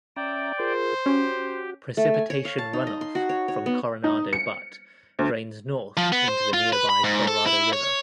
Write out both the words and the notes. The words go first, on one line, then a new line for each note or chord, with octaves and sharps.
Precipitation runoff from Coronado Butte drains north into the nearby Colorado River.
C#4 D5 E5 G5 A#5
F4 G#4 A#4 C5
C#4 F#4 G4
A3
G#5
C#5
F5
A5
D#4
D#5
C6
F#4
C#5
C#5
B3
D#4
C#7
D2
F3
B3
C5
F4
B4
B5
G#2
A4
E4
C#5